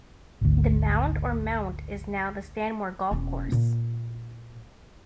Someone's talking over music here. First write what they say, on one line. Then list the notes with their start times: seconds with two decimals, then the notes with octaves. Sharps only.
The mound, or mount, is now the Stanmore Golf Course.
0.41 G#1 D2
3.11 E1 C#4
3.52 A#2